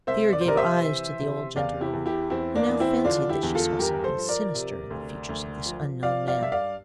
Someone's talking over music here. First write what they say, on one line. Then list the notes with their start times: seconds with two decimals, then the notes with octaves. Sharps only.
Fear gave eyes to the old gentlewoman, who now fancied that she saw something sinister in the features of this unknown man.
0.07 C2 C5 E5
0.33 D5
0.41 C5
0.45 C3 A#4 D5
0.57 C5 E5
0.82 E3
1.20 C3
1.56 E2 D5 F5
1.81 E4 G4
1.93 E2
2.06 E4 G4
2.30 E2 C4 E4
2.55 A#3 D4
2.68 E3
2.80 C4 E4
3.05 D3 D4 F4
3.29 E4 G4
3.43 E2
3.55 F4 A4
3.79 G2 G4 A#4
4.04 A4 C5
4.17 F3
4.29 A#4 D5
4.54 C3
4.90 D2
5.29 D2
5.66 F3
6.02 F3 D5 F5
6.27 D5 F5
6.40 G2 E5
6.52 D5 F5